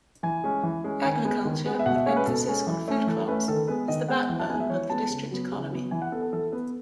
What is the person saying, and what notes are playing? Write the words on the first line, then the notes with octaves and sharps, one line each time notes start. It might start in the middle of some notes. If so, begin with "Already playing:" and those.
Agriculture with emphasis on food crops is the backbone of the district economy.
E3 G#5
G#3 C#4
E3
G#3 C#4
D#3 G#5
G#3 B3
D#3
G#3 B3
E5
B2 F#5
E5
G#3 C#4 C#5
B4
B2 A4
G#3 C#4
E3
A3 C#4
E3 A4
A3 C#4 B4
D#3 A4
G#3 B3 B4
D#3 D#5
G#3 B3 F#5
E3
A5
G#3 B3 G#5
E5
E3 C#5
G#3 B3 A5
C#3
F#3 B3
C#3
F#3 B3
E3 G#5
F#5
B3 A4
A4
E3 A4
B3 B4